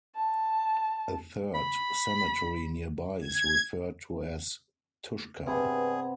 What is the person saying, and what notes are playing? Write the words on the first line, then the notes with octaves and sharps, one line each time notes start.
A third cemetery nearby is referred to as Tushka.
A5
B5
G#6
G2 C3 B3 G#4